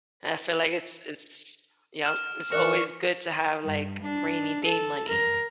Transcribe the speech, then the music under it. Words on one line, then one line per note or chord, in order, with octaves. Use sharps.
and I feel like it's it's Yep, it's always good to have, like, rainy-day money.
F6 E7
E3 A#4 D5 C#6 F#6
G2
D4
A4
A#4